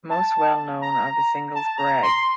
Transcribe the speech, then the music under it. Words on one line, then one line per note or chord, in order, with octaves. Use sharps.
Most well known are the singles Greg!
A5
A#5
A5
A#5
C6